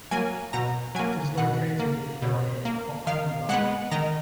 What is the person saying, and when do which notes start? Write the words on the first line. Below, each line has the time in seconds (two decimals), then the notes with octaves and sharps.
It is located in a valley in Pok Fu Lam.
0.11 F#3 A#3 G#5
0.53 B2 A#5
0.95 F#3 A#3 G#5
1.37 B2 F#5
1.79 A#3
2.22 B2
2.65 A#3
3.07 D#3 F5
3.49 G#3 B3 F#5
3.91 D#3 A#5